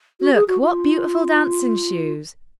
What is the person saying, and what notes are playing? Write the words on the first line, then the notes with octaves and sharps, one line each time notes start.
"Look, what beautiful dancing shoes!"
F#4
G#4
F#4
F4